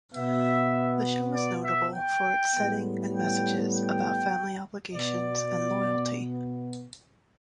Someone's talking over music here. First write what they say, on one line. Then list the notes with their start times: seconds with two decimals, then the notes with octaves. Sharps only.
The show is notable for its setting and messages about family obligations and loyalty.
0.14 B2 B3 E5
1.34 D5
1.64 E5
1.94 G5
2.53 A2 G3 B3
3.13 G5
3.74 G5
4.93 B2 B3 D5